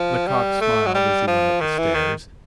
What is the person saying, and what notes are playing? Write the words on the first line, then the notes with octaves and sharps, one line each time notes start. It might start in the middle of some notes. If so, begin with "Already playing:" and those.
Lecoq smiled as he went up the stairs.
Already playing: F3
G3
A3
F#3
G3
F3
D#3
E3
D#3